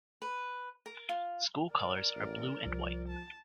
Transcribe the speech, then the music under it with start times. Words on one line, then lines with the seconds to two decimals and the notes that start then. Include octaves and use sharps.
School colors are blue and white.
0.22 B4
0.86 A#4
1.09 F4
1.71 A#4 D5
2.16 A1
2.66 C2 F3
3.07 A5